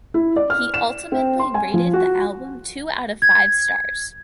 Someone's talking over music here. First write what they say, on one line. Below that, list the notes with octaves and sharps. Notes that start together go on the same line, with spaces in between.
He ultimately rated the album two out of five stars.
E4
D5
F6
E7
C4
C6
G#5
F3
F#4
G#6